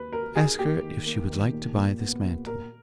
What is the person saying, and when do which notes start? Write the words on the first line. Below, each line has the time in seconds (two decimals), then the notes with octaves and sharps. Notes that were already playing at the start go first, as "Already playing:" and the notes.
'Ask her if she would like to buy this mantle.'
Already playing: D#2 B4
0.12 A#3 A#4
0.36 D#4 G#4
0.59 A#3 G4
0.83 D#3
1.06 A#3
1.30 D#3
1.53 A#2
1.76 A#2
1.99 B3
2.23 A#2
2.46 A#2 A#4